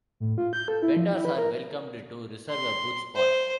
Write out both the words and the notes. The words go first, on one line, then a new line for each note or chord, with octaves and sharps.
Vendors are welcomed to reserve a booth spot.
A2
F4
G6
A4
E4
F3
E4
B4
A#4
C6
C5